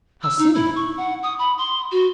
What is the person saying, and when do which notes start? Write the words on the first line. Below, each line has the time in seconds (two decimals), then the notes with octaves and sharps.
"How soon?"
0.23 E6
0.39 D#4
0.55 E4
0.76 C#6
0.97 F#5
1.23 D#6
1.39 B5
1.58 C6
1.92 F#4